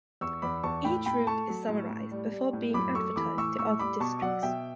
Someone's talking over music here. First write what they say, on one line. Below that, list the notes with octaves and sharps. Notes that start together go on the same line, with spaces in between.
Each route is summarized before being advertised to other districts.
E2 C#6 E6
E2 B5 D6
E2 A5 C#6
A2 G5 B5
A2 G5 B5
A3 A5 C#6
F#3
A2
A2
G3
G3
A2
F#2 B5 D6
A3 C#6 E6
E3 B5 D6
A2 C#6 E6
A2 C#6 E6
G3 B5 D6
B2 A5 C#6
F#3 D5 F#5
B2 E5 G5